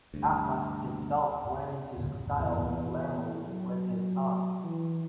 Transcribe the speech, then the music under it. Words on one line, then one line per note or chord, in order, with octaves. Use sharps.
Ahmad himself went into exile in Palermo with his sons.
D2 G2
E2
F#3
E3